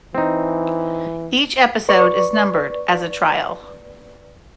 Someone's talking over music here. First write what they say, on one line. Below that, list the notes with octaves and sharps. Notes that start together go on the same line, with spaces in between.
Each episode is numbered as a Trial.
E3 C4 D#4
B4 D5 C#6